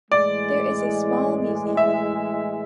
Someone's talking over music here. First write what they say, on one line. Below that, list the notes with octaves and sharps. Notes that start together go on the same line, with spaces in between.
There is a small museum.
A2 E3 G#3 D5
E5